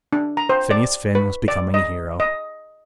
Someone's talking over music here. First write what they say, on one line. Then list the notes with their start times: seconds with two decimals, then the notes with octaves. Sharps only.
Phineas Finn was becoming a hero.
0.13 D4
0.37 A#5
0.49 C5
0.71 D5
1.15 B4
1.48 D5
1.74 D#5
2.20 D#5